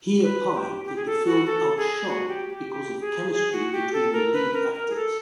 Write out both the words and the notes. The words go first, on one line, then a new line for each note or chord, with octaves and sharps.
He opined that the film outshone because of chemistry between the lead actors.
B4
G4
G4
G#4
A4
F#4
A4
G#4
F#4
G4
G4
G4
G#4
G#4
F#4
G4
A4
A#4
B4
A#4
A#4
G#4
A4